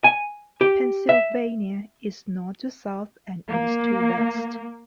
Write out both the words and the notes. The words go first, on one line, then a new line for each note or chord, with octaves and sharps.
Pennsylvania is north to south and east to west.
G#5
G4
E5
A#3